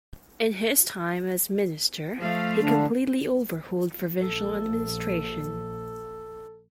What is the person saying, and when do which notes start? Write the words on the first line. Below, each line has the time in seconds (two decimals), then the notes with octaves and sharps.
In his time as minister, he completely overhauled provincial administration.
2.19 F3 A3 F5
2.60 D3 D4
4.19 A#1 A4